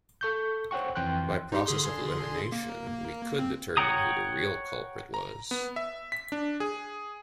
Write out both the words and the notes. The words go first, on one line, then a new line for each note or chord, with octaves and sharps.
By process of elimination we could determine who the real culprit was.
A4 C#6 G6
C5 C#5 F#5 G5 C#6
F2 E3 G5 C6 F#6
D#4 G4
D3 G#4 C6
A#3
C4
C#5 F#5 G5 A#5 D#6
A#5
B3
E5
B6
D4
G#4